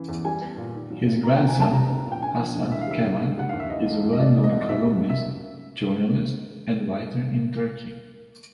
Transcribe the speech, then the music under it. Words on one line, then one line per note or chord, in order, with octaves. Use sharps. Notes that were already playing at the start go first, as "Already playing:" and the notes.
His grandson, Hasan Cemal, is a well known columnist, journalist and writer in Turkey.
Already playing: C#3 E3
E2
G3 G#5
B3
A#2
D#3
F#3
C3
C#3 A#5
F#3 G5
G#5
D2 A5
G3 A#5
B3
A#2
G5
D3 G#5
F3
D2
E3 E5
F5
G3 E5
G#2
D3
G3 F#5
D#2 F5
E5
E3 D#5
A3
G#2
D#5
B2 D5
F#3
D#5
C2
B2 E5
G3
C#2
E5